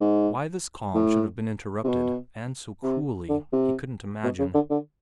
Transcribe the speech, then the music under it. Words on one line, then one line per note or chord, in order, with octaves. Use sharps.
Why this calm should have been interrupted, and so cruelly, he couldn't imagine.
G#2
A2
C3
B2
C3
D3
C3
B2
C#3
D3
D3